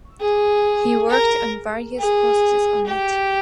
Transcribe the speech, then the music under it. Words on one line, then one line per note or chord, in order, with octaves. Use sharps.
He worked on various posts on it.
G#4
A#4
G#4
G4